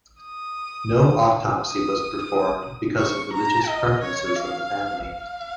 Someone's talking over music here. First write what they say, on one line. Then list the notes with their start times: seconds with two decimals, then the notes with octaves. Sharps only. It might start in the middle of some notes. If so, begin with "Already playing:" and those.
No autopsy was performed because of religious preferences of the family.
0.23 D#6
1.61 D#6
2.98 C#6
3.33 A#5
3.67 D#5
4.02 C#5
4.36 F5
5.05 F5